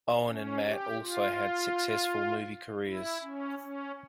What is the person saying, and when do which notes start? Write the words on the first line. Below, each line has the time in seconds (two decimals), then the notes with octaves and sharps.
Owen and Matt also had successful movie careers.
0.27 C#4
0.64 G4
1.01 F4
2.85 E4
3.22 C#4
3.59 C#4